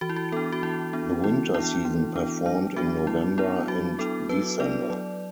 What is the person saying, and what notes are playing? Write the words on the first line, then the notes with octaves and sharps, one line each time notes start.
The winter season performed in November and December.
E3 F#4
E4
F#4
B3 D4 A4
F#4
E3 E4
B3 D4
E3 E4
B3 D4 E4
E3
B3 D4
F#3 D4
B3 D4 F#4
F#3 E4
B3 D4 E4
F#3 F#4
B3 D4 A4
F#3 B4
B3 D4 D5
F#3